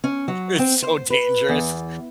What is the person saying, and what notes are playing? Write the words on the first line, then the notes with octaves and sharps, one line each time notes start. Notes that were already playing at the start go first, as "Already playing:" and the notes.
It's so dangerous.
C#4
F#3
C4
C5
B4
E2